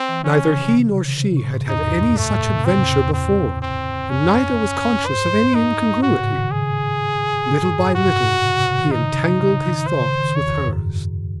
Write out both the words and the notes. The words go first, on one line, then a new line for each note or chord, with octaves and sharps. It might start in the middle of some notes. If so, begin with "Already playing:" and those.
Neither he nor she had had any such adventure before and neither was conscious of any incongruity. Little by little he entangled his thoughts with hers.
Already playing: C4
E3
D#3 C#4
C#3
C3
C3
C3
C#3
C#3
C3
A2
G#2
E2 D#4
F#2
G#2
A2 A3
A2
C3
C#3 C4
E2
E2
C4
C4
F#2 C#4
G#2 C5
D#4
G#2
A2 F#4
C#3
D#3
C#3 G#4
G#2
F#2
F#2
G#2
C3 F#4
G#2
G#2
A2
C#3
C3
D#3
C#3 D#4
C#3
C#3
D#3
C#3 C5
D#3
E2 C#5
F#2
G#2
F#2